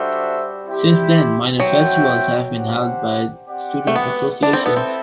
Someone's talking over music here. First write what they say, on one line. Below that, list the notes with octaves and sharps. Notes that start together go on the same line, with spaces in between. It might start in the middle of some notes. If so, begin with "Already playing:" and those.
Since then minor festivals have been held by student associations.
Already playing: G3 D4 F#4 A4 C5 E5
C4 E4 G4 C5
F#3 C4 F#4 C5 E5 G5
D4 G4 C5 F#5
C4 G4 D5 F#5
A3
B3
D4 E4 A4 E5
C4
B3
C4